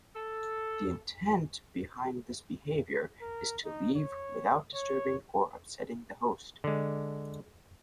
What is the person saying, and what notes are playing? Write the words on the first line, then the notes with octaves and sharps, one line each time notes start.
The intent behind this behaviour is to leave without disturbing or upsetting the host.
A4
A#4
D#4
C#5
C#5
D3 G#3